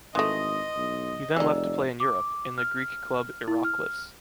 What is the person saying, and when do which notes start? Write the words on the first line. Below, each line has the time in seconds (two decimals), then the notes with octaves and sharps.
He then left to play in Europe, in the Greek club Iraklis.
0.15 G#1 E3 A3 D#5 C6 D#6 A#6
0.76 B1
1.36 F1 G#3 D#4 D5 E6
2.00 D6
2.58 F6
3.48 E4
3.64 F6